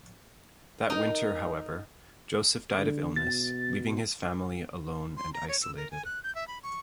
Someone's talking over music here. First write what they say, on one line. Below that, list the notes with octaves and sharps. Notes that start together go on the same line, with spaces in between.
That winter, however, Joseph died of illness, leaving his family alone and isolated.
D#4 A#4
D3
B2 A6
C6
A#5
C#5
E6
A#4
G#5
F#6
G6
E5
B5
C#6